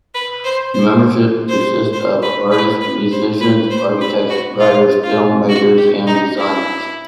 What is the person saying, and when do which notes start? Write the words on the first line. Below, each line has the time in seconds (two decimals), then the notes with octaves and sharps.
The membership consists of artists, musicians, architects, writers, film makers and designers.
0.15 B4
0.45 C5
0.74 C5
1.49 C5
1.93 C5
2.22 B4
2.52 B4
2.81 B4
3.11 C5
3.41 B4
3.71 C5
4.01 B4
4.30 F#4
4.60 F4
5.04 F4
5.49 F#4
5.78 G4
6.07 D#4
6.38 E4